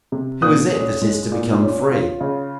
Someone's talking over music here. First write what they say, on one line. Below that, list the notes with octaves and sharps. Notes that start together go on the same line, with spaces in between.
Who is it that is to become free?
C3
A#2 D#6 F#6
C#4
G#3
A#2
C#4
F4
C#3